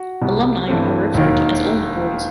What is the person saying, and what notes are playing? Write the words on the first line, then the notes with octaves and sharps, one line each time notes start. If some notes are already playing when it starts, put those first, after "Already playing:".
Alumni are referred to as "Old Boys".
Already playing: F#4
C2 B2 G3 B3
G2 E3 A3 C4
E1 D#2 D#3